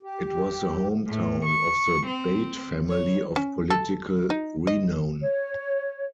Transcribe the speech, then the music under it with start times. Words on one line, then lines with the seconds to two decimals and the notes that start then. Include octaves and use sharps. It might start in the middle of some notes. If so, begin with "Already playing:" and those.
It was the home town of the Bate family of political renown.
0.03 G4
1.06 A2
1.45 C#6
2.07 C4
2.87 C#5
3.36 C#4
3.70 A4
4.30 D#4
4.67 D#5
5.21 C#5